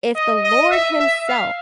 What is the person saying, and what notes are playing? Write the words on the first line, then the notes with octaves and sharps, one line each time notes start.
if the Lord himself
D#5
D#5
E5
E5
F5